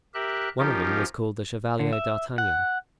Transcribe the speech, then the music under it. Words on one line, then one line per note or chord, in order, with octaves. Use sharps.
"One of them was called the Chevalier d'Artagnan."
G4 A#4 E5 F#6
F3 C#4 D#4 F4 G4 A#4
D3
E5
F#5